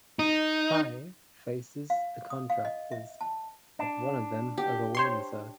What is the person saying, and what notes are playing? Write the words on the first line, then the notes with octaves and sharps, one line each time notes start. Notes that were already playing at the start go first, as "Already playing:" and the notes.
Hei faces the Contractors but one of them overwhelms her.
D#4
F5
D#6
F5
D#5
E5
A5
D4
G4
C5 C#5 C6